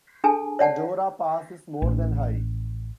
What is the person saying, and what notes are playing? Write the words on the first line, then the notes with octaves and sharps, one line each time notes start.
The Dorah Pass is more than high.
D4 G#4 A4 G#5 A5
C#5 D5 F#5 A5
A1